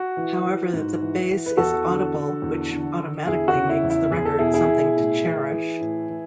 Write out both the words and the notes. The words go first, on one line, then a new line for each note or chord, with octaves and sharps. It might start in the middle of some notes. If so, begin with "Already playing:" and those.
However, the bass is audible, which automatically makes the record something to cherish.
Already playing: F#4
E3
E3
G#2
E3
E3
B4
E2 F#4 A4
D3
D3
E2
D3
D3
E2 E4 G#4
F#4
C#3
E4
E2
E4
E2 G#4
A4
B2 E4 G#4
E4 G#4
B2
A2
E3
E3
A2
E3